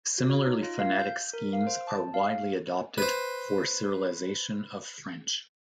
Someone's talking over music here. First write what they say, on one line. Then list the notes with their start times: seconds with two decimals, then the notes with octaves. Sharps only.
Similarly phonetic schemes are widely adopted for Cyrillization of French.
0.18 F#4
0.30 C#5
0.46 D#4
0.63 F4
0.79 F5
0.99 G6
1.33 A#4
1.53 F5
1.67 C5
1.87 A5
2.14 F5
2.98 B4 C5